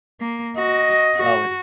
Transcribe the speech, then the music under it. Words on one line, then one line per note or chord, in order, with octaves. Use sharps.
Oh, it
A#3
F#4 D#5
F#4